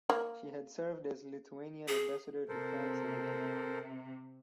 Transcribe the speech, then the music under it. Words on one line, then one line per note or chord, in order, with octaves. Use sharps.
She had served as Lithuanian ambassador to France and Italy.
A#3
G#4
C3 A4 A#4 C5